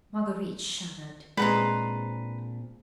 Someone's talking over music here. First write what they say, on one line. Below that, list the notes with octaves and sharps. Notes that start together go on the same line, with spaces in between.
Marguerite shuddered.
A#2 G#3 C4 D4 G#4 B4 A#5 C6